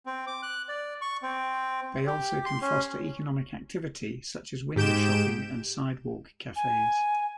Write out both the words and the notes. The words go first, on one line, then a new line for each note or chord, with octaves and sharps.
They also can foster economic activity, such as window shopping and sidewalk cafes.
C4
D6
F#6
D5
C#6
C4
G4
C6
C#4
G#2 G4 G6 D7 E7
G#5